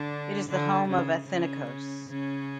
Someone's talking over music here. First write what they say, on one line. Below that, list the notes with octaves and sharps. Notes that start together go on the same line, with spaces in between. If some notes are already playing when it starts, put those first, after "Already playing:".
It is the home of Athinaikos.
Already playing: D3 D4
D3 D4
C#3 C#4
C#3 C#4
C#3 C#4